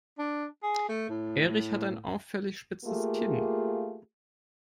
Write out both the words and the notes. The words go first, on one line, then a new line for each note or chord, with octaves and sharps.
Erich hat ein auffällig spitzes Kinn.
D4
G#4
A3
A2
A3 A#3 F4 G4 G#4